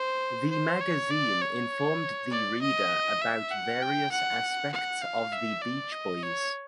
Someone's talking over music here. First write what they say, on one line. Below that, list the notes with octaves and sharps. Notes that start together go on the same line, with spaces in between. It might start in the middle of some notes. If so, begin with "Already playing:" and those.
The magazine informed the reader about various aspects of the Beach Boys.
Already playing: C5
C5
C#5
D5
C#5
D5
D#5
E5
F#5
G5
F#5
F#5
F5
E5
D5
D#5
C#5